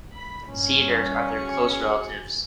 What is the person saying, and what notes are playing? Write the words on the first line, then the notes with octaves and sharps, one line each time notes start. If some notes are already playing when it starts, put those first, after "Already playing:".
Cedars are their close relatives.
B5
G2 A#2 C#4
F#4 G#4 C#7